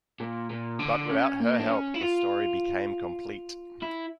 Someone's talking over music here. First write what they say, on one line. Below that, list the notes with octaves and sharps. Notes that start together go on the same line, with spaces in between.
But without her help the story became complete.
A#2
A#2
D3
C#4
A#3
D4
C#4
E4
F4
E4